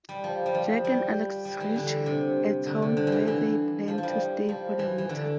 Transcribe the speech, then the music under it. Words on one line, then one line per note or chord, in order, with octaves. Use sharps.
Jack and Alex reach a town where they plan to stay for the winter.
G3
F3
G3
F3
G3
G3
E3
D3
C3
D3
C3
D3
E3
D3
E3
F3
F3
G3
F3
E3
E3
D3